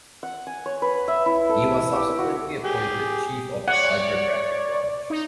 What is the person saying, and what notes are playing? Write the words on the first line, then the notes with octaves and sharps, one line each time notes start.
He was subsequently appointed Chief of the Hydrographic Branch.
F#5
G#5
C#5
B4
E5
E4
A4
G4
F#4
G4 G#4
C#5 D5 F#5
D#4